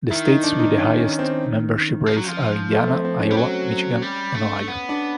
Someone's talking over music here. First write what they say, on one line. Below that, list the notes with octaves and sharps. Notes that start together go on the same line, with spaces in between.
The states with the highest membership rates are Indiana, Iowa, Michigan, and Ohio.
D#3 E4
D#4
D4
D#4
C#4
C#4
C4
F3
F#3
F3
A3
C4
C4
C#4
G3
F#3
G3
A3
B3
D4